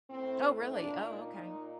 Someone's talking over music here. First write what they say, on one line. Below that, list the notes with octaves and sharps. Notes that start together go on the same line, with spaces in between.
Oh, really? Oh, okay.
A2 C4
A#2 D4
D#4
A#2 D#4